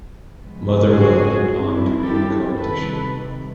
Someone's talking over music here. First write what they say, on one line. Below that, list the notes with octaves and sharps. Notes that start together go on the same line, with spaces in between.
Motherwell went on to win the competition.
C#3 F3 G#3 B3
F#4 G#4
D#3 G3 C4 E4
G4 A4
C3 D#3 G3 A4 B4